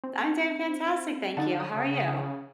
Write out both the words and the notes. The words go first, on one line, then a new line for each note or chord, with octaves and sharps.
I'm doing fantastic, thank you. How are you?
C4
D3 D#4 F#5 A5
D#6
C#3